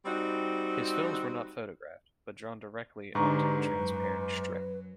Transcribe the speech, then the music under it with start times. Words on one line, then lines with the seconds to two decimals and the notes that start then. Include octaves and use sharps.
His films were not photographed, but drawn directly onto the transparent strip.
0.05 G3 C4 D#4 F#4
3.15 G#2 D3 G4 B4 A#5 C#6
3.74 F#2 F#3